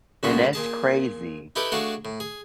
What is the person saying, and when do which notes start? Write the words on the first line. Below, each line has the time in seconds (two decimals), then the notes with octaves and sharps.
And that's crazy.
0.23 C#2 F#2 A2 F3 C#4 F#4
0.53 A#2 G#4 A5
1.56 D#4 E4 G4 A4 B4
1.72 A3 D4 F#4 G#4 A4 F5
2.05 A2
2.20 G#4